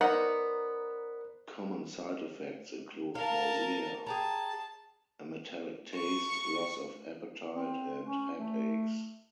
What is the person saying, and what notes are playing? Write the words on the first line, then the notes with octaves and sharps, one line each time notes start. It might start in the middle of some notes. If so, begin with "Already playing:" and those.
Common side effects include nausea, a metallic taste, loss of appetite, and headaches.
B3 D#4 A#4 C5 D5 F#5
A#4 F5 A5
G#4 G5 A5 A#5
C#6
C4
C#4
A3